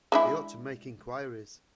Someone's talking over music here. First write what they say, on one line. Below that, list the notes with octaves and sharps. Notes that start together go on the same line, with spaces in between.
He ought to make inquiries.
G#3 D4 E4